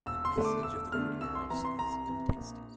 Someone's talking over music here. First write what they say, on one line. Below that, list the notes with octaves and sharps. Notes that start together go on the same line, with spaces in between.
The message of the runic cross is contested.
E1 E6
C6
E2 D3 A3 D4
D6
E1 E6
E2 D3 A3 D4 F6
C2 E6
C6
C3 E3 A#5
C6
C2 A#5
C3 E3
A#1